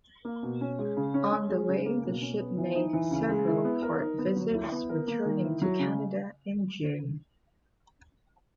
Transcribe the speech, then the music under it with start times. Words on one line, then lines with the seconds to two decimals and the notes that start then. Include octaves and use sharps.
On the way the ship made several port visits, returning to Canada in June.
0.25 A#3
0.43 B2
0.61 C#4
0.79 G#3
0.97 C#3
1.14 C#4
1.32 C#4
1.50 G#3
1.68 C#3
1.86 A#3
2.04 B2
2.21 C#4
2.40 B3
2.57 E3
2.75 D#4
2.93 E3
3.11 C#3
3.29 G#3
3.47 E4
3.65 B3
3.82 A#4
4.01 D#4
4.18 B3
4.36 F#3
4.54 E4
4.72 B3
4.89 A#4
5.07 A#3
5.25 D#3
5.44 E4
5.62 F#3
5.79 C#3